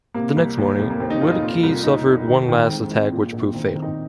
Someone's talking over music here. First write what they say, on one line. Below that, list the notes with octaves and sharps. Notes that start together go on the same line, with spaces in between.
The next morning, Willkie suffered one last attack which proved fatal.
C3 A#3
C2
D#2
F1
A#3
D#2 C4
D#4
F1 F4
D#4
A#2 F4
C2
F4
D#2 D#4
F1
D#3
D#3
G#2 C4
G#1
A#2
A#1
D#3 C4
C4
D#3
D#4